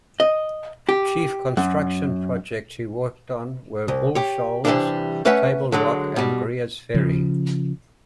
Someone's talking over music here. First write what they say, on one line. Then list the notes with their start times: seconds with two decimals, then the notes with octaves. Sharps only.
Chief construction projects he worked on were Bull Shoals, Table Rock and Greers Ferry.
0.20 D#5
0.89 G4
1.57 F#2
3.88 C2
4.15 G4 C#5
4.65 C3 E3 F#3 G3 A#3 D4
5.25 A3 C#4 B4 C#5 E5 F#5
5.72 D3 F#3 G#3
6.16 B2 G3
6.94 C#3 F3